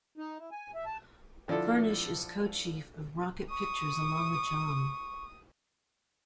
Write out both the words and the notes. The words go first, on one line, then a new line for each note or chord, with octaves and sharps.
Furnish is co-chief of Rocket Pictures along with John.
D#4
E4
G#5
E5
A5
D3 F3 D4 E4 A4
C#6 D#6